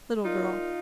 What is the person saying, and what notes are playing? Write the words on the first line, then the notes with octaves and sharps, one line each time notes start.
Little girl.
A#2 D#4 F4